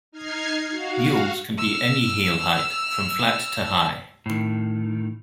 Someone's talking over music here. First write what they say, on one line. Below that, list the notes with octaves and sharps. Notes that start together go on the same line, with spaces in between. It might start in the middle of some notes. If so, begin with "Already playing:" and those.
Mules can be any heel height - from flat to high.
D#4 F6 G#6 C7
F#4 F5
E6 F6
A2 D#3